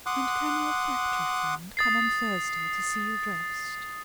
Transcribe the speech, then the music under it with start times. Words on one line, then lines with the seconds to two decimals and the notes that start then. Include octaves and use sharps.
'And can your factory friend come on Thursday to see you dressed?'
0.06 F#5 C6 D6 D#6 F#6
1.77 D#6 A6 C7